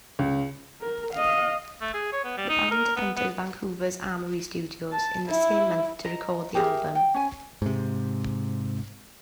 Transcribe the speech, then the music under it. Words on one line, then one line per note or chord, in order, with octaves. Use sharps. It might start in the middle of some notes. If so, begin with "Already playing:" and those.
The band entered Vancouver's Armoury Studios in the same month to record the album.
C#2
A#4
D#5 F5
A3
G#4
C#5
B3
G3
D#4
A#4
B3
B3
A5
E4
D#5 A#5
G4 G#4 A#4 E5
G5
C#4 G#5
G#2 C3